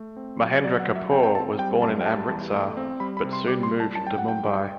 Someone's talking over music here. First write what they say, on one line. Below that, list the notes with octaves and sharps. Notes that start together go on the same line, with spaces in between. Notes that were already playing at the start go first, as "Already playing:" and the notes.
Mahendra Kapoor was born in Amritsar, but soon moved to Mumbai.
Already playing: A3
C4
F#3
F#3 D5
F#5
F#3
E5
C4 G5
G5
C4 A5
G3 G5
F#2 A5
G5
G3 A5
E2
A3
C4
G3 B5
B5
C3
C6
G3 D6
C6
G3
A5
F#2 A5
G5
F#3 F#5
G5
G2